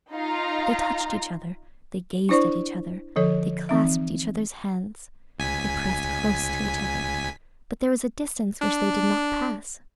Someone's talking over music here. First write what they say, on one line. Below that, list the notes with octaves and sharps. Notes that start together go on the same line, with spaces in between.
They touched each other, they gazed at each other, they clasped each other's hands, they pressed close to each other; but there was a distance which they did not pass.
D#4 F4 F5 A#5
D4 E4 C5 D5 C#6
D3 F3 A4 C#5
E3 C4 D#4 E5
C#2 G#5 B6
D4